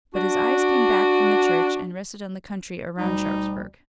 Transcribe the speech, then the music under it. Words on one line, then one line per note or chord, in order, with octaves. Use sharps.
But his eyes came back from the church and rested on the country around Sharpsburg.
D4 F#4
D2 B2 G3 D#4